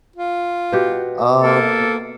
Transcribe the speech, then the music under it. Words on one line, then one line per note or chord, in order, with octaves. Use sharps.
Um, w
F4
B2 F#4 G4
A#3 A4